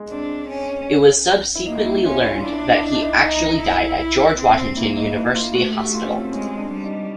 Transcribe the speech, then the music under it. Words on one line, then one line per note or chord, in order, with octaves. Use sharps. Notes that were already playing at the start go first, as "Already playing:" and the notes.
It was subsequently learned that he actually died at George Washington University Hospital.
Already playing: G#3
C4 D4
C#4
E4
A#3 D#4
E4
C#4 F4
E4
F4
D4 E4
E4
D#4
D#4
E4
D#4
E4
E4
C4
A#3 E4
D#4
E4
F4
A3 F#4
G4
F#4
F4
C#4
C4
C4
G#3 C#4
D4
G3
D#4